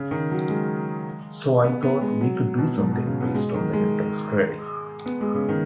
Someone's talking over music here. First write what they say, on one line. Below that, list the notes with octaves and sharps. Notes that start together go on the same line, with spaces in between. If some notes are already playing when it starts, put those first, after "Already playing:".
So I thought we could do something based on the Newton's cradle.
Already playing: C#3
D#3
F#3
G#3
B3
B3
G#3
F#3
B2
G#2
B2
C#3
B3
G#3
D#3
G#3
B3
G#3
C#3
D#3